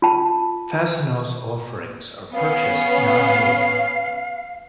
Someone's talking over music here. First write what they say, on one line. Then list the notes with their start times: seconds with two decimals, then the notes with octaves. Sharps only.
Fastenal's offerings are purchased, not made.
0.02 F4 A5
2.33 B3 C#4 F5